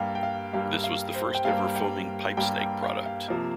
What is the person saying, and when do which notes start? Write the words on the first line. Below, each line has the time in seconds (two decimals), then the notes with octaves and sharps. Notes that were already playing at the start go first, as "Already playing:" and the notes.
This was the first-ever foaming pipe snake product.
Already playing: G2 G3 A#3 F5 G5
0.15 G5
0.23 F5
0.53 G2 G3 A#3 F5
0.84 F5
1.14 C5
1.35 G5
1.45 G2 G3 A#3 F5
1.76 G5
2.37 G2 G3 A#3 G5
2.60 G5
2.83 F5
3.06 F5
3.28 C3 F3 A#3